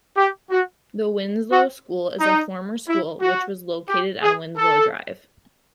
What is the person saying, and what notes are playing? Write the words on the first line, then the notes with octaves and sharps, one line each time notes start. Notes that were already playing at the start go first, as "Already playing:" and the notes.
The Winslow School is a former school which was located on Winslow Drive.
G4
F#4
F#4
D#4
E4
F#4
G4
G#4
A4